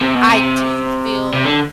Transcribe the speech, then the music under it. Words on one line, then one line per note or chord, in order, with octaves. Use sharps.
I do feel
C3
B2
C3
C3
D3